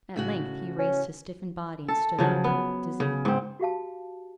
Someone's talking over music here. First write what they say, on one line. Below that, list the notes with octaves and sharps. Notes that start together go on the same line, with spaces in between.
At length he raised his stiffened body, and stood up, dizzy.
A2 C#3 F#4
C#4
A4
C#3 F3 F#3
B3
C#3
G#2 C4
F#4 G4 F5 A5